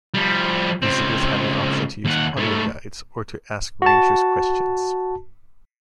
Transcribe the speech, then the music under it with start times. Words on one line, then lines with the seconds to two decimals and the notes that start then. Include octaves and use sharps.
Visitors have the option to use audio guides or to ask Rangers questions.
0.14 F3 G3
0.83 C#2 C4
2.05 D#2 F#5
2.37 G#2 A3
3.82 F#4 A5